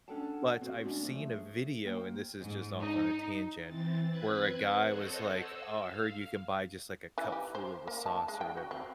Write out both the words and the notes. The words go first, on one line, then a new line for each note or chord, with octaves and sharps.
but I've seen a video, and this is just off on a tangent where a guy was like, "Oh, I heard you can buy, just, like, a cup full of the sauce or whatever."
C#4 D4 A4 F#5 G5 A5
B3 C4 F#4
G#3 C#4 D4 G#5
F3 A3
G#4
A#3 C5 G5
G#2
D#4
E3 C4 A6
C4 B4 F#6 G#6
A4 C5 C#5 D#5 F#5
E6
F5
E3
G4
C5
A#3
A5
G#3
G5
F#4
C4